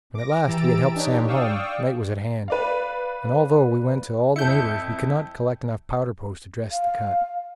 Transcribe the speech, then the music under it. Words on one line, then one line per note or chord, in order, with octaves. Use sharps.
When at last we had helped Sam home, night was at hand; and although we went to all the neighbors, we could not collect enough powder-post to dress the cut.
D6 A#6
E3 G4 A#5 E6 A6 D7
D4 D#4 G4 C#5
D5 F5 G5 C#6 D#6 E6
B4 D5 F5
F2 E4 G6 C#7
F5